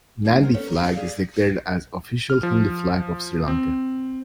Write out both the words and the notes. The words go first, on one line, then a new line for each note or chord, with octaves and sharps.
Nandi flag is declared as the official Hindu flag of Sri Lanka.
A#2 E3 D#4 G#5
F#3 A#4 C5
A3 B3 C#4 B4
A#4
D3
G4 G#4 D5 F5
F6
F3
C4